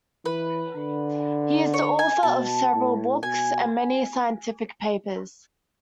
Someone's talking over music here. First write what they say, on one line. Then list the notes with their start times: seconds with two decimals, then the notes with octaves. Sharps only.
He is the author of several books, and many scientific papers.
0.25 E3 B4
0.75 D3
1.74 C#5
1.99 G#5
2.23 B2 A5
2.74 A2
3.22 B2 G#5